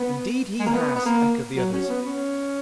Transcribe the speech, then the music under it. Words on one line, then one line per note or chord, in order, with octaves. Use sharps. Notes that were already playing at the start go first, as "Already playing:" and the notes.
'Indeed he has!' echoed the others.
Already playing: B3
G#3
A#3
B3
B3
A#3
F#3
C#4
B3
C#4